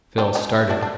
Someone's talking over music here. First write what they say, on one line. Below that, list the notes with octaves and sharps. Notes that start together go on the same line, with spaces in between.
Phil started.
C4 D4
C#4 D#4
D4 E4
D4